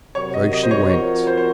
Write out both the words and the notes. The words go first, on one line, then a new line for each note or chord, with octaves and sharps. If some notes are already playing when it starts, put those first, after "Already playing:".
So she went.
C3 F#3 C4 F#4 A#4 C#5
D#5
D#5
C5
C#5
F3 C4 F#4 A#4 C#5
C5
C5